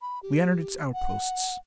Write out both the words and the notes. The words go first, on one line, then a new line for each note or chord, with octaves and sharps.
We entered its outposts.
B5
G4
F#5